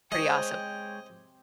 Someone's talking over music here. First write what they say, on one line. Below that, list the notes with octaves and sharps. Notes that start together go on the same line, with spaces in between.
pretty awesome.
C3 G#3 C4 G4 C#5 D#5 G5